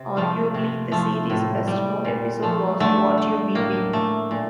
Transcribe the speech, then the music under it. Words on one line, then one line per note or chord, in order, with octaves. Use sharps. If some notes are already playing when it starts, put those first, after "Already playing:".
Arguably the series' best-known episode was What You Mean We?
Already playing: C3
F3 A3
C3
F3 A3
A2
G3
A#2
F3 A3
D3 A3
A3
A2 A#3
A3
A#2